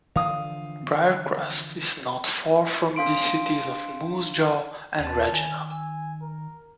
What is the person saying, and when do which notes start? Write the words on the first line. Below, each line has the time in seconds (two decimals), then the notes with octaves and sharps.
Briercrest is not far from the cities of Moose Jaw and Regina.
0.16 D3 E3 F3 F5 D#6
2.96 D4 F5 C6 D7
4.99 D#2 B4 A5
5.32 D#3 G#5
5.70 G#5 E6
6.22 A#4